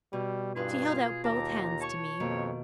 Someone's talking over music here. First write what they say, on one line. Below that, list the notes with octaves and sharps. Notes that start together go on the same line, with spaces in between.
She held out both hands to me.
B2 G3
G2 E4 F4 G#4 B4
F4 F6
D#2 A4 A5 A#5 D6
C#5 A5 C#6
F2 B2 D#3 A#3